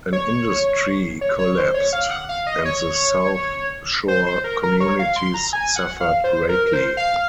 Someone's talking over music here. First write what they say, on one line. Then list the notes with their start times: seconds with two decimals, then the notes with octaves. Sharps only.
An industry collapsed, and the South Shore communities suffered greatly.
0.13 C#5
1.21 C#5
1.39 C#5
1.58 C5
1.74 C#5
1.93 F5
2.11 F#5
2.29 F5
2.47 D#5
2.65 C#5
4.08 C5
4.27 C5
4.44 A#4
4.63 A#4
4.80 C#5
4.99 F5
5.16 C6
5.34 A#5
5.53 G#5
5.76 F#5
6.00 F5
6.24 C5
6.49 A#4
6.67 A#4
6.73 C5
6.97 F5